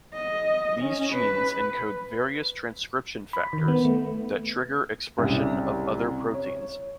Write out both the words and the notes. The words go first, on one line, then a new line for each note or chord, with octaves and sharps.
These genes encode various transcription factors that trigger expression of other proteins.
D#5
C#4
B4
B5
D#3
B3
A3
C2 C#3
C#5